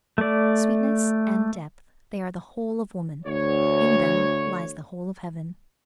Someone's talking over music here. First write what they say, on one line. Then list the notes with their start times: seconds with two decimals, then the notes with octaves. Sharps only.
Sweetness and depth, they are the whole of woman; in them lies the whole of heaven.
0.18 A3 D5
3.24 D2 C#5